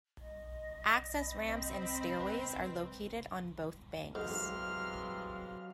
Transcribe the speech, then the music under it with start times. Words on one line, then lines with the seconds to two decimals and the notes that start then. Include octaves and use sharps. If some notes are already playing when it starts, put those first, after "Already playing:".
Access ramps and stairways are located on both banks.
0.21 D#5
1.20 C4 B5
2.20 B4
4.15 G#2 C3 E3 F#3 G#3 F5 F6